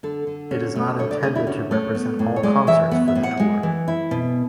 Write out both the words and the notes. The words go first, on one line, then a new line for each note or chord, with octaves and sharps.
It is not intended to represent all concerts for the tour.
D3 A4
D3
C#4
A3
D3 C#5
D5
D3 G#4
E4
C#4 F#4
A3 C#5
B3
A2
C#5
G#3 D5
E3 E5
B3 F#5
E5
A2
F#5
G#3
E3
E4
B2